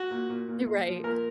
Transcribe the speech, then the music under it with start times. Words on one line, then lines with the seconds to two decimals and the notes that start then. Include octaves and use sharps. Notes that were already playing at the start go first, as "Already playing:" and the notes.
You're right.
Already playing: F#4
0.11 A#2
0.30 A#2
0.48 A#2
0.67 A#2
0.87 F3
1.04 A#2 A#4